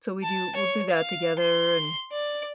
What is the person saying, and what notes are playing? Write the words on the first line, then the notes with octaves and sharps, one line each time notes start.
so we do we'll do that together, and
A5
C#5
F5
C6
D5